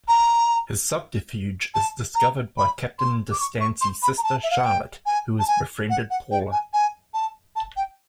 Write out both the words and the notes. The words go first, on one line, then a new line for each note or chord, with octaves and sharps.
His subterfuge is discovered by Captain De Stancy's sister Charlotte who has befriended Paula.
A#5
A5
A#5
B5
C6
D6
C#6
C#6
C6
B5
A#5
A5
E5
F5
F#5
G5
G#5
A5
G#5
F#5
F#5
G5
G#5
G#5
A5
A5
G5